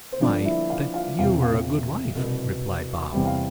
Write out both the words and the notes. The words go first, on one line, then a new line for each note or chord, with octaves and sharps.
"Why, that you were a good wife," replied Bob.
C5
G1 G2 D3 F3 D4 D5
E4 E5
F4 F5
F4 F5
E1 E2 C3 F4 F5
F4 F5
C2 B2 B3
E2 C3 G3
F5